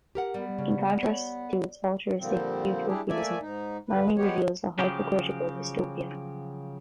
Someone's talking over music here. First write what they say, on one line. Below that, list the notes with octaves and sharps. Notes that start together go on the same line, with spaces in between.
In contrast to its altruistic utopianism, Manley reveals a hypocritical dystopia.
G4 A#4 F#5
G3 B3
C#3
C#5
A#2 D3 F3 G3 C4
G3 D4 E4 G4 G#4
A3 A#3 D5 E5 G#5
G#2 D#4
G2 D3 B4
G#3 B3 G4 C#5
C#3 F3 F#3 G4